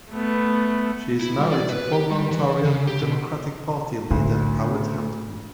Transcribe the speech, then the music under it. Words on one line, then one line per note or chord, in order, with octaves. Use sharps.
She is married to former Ontario New Democratic Party leader Howard Hampton.
A3 B3
E4
G3
D5
B4
G4
G3
E3
C#3
G4
B2
D2 A2